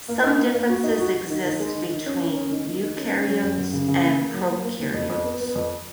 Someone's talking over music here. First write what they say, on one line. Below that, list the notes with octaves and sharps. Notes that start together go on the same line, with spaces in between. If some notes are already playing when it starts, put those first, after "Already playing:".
Some differences exist between eukaryotes and prokaryotes.
A#3
D#4
A#3
A#3
F#4
D#4
F#4
F#4
D#3
D#3
G#3
D#3
D#3
C#4
C#4
C#4
D#3
D#3
D#3
C#4
C#4
F#3
F#2
F#2
C#3
C#3
A#3
A#3
F#3
A#3
A#3
D#2
F2
F2
B3
B3
F2